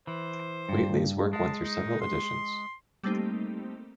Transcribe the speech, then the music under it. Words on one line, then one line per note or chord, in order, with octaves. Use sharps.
Whately's work went through several editions.
E3 C5
G2
G#3 A5
D#4
C6
G3 A3 A#3 C4 D#4 G4